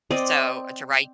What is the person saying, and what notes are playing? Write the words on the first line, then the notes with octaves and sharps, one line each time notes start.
so, to write
C4 D5 D#5